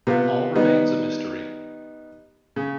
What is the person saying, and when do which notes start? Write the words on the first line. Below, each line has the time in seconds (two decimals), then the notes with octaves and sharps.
All remains a mystery.
0.07 C3 B3 F4
0.55 D#3 G3 B3 D#4
2.56 C#3